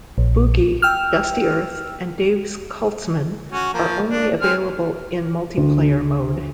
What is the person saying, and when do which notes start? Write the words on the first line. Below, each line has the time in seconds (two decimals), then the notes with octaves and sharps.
Boogie, Dusty Earth, and Dave's Cultsmen are only available in multiplayer mode.
0.18 A#1
0.82 G5 E6 F6
3.52 C#4 F#4
3.73 F3 A#3
4.07 D4
4.41 G#3 C4 F6
5.57 D2